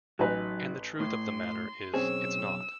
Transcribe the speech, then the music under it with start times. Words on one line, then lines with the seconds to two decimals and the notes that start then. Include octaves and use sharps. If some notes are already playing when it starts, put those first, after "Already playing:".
And the truth of the matter is, it's not.
0.19 A1 F#3 D#4 B4 G#5
1.00 A2 C6
1.94 B1 C4 C#4 G#4 E6